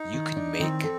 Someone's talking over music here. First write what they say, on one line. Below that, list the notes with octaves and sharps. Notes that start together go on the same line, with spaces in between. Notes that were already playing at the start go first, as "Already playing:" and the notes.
you could make
Already playing: D#4
D#3
D4
D#3 C4
A4